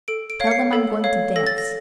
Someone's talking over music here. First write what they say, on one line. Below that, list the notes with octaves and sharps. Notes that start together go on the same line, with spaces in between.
Tell them I'm going to dance.
A4 D7
D7
C#5 F5
C#7
C7
A4
C#5 F5
A4 A#6
A6
A#6